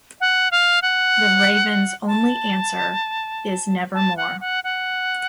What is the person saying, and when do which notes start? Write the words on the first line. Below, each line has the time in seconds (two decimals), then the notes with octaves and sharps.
The raven's only answer is "Nevermore".
0.20 F#5
0.51 F5
0.82 F#5
2.07 A5
3.94 A5
4.17 F#5
4.41 F#5
4.64 F#5